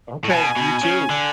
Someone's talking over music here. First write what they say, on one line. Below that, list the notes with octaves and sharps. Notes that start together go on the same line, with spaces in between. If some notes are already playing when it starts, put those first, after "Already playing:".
Okay, you, too.
A2
B2 G#5
B2
C#3
D3